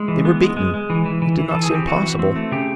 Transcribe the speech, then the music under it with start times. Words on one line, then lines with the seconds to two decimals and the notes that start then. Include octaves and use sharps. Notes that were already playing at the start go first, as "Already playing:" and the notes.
They were beaten. It did not seem possible.
Already playing: G#3 E4
0.08 E3
0.25 B3
0.41 G#3
0.57 G#3
0.74 G#3
0.90 E3
1.06 E3
1.22 E3
1.38 E3
1.51 E3 A4
1.64 G#4
1.71 C4 G4
1.87 E3 F#4
2.03 E3
2.19 C4
2.36 A3
2.51 C#3 G4